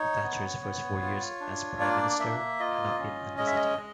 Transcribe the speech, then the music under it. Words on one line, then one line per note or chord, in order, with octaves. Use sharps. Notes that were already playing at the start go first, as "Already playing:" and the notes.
Thatcher's first four years as prime minister had not been an easy time.
Already playing: D#4 C#5
B3
B3
F4
D4
A#3 D5
A#3 E5
F4 D#5
C#4
G#3 D#5
E5
D#5
G#3